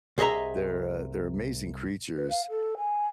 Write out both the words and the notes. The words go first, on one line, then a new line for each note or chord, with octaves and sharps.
They're, uh, they're amazing creatures,
C2 G#4 D#5 E5 A#5
B4
F5
A4
G#5